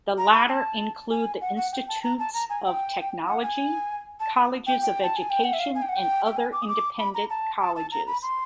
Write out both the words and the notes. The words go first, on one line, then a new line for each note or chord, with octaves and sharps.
The latter include the Institutes of Technology, Colleges of Education, and other independent colleges.
A#5
B5
A5
G#5
F#5
F#5
G5
A5
A#5
A5
A#5
G#5
G5
F#5
G#5
A5
G5
G5
A5
G#5
G5
F#5
E5
F5
G#5
G5
F#5
G5
G5
G#5
D6
D#6
D6
B5
A#5
A5
A5
A5
A#5
B5
C6